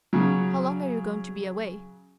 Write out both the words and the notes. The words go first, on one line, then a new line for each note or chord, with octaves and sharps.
"How long are you going to be away?"
C#3 F#3